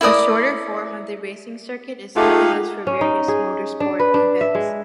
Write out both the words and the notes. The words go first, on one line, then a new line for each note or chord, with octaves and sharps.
A shorter form of the racing circuit is still used for various motorsport events.
E4 A#4 D5 D#6
A3 D#4 F4 G4 G#4 F5 F#5
C#4
D#4
G#4
D4
B4
D4
E5
G#3